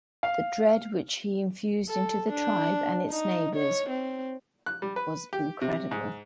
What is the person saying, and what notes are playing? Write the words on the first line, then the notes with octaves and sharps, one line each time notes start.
The dread which he infused into the tribe and its neighbors was incredible.
F5
A4
D4
D#4
C#5
C4
F#6
G3
B4
G4
C3
G#2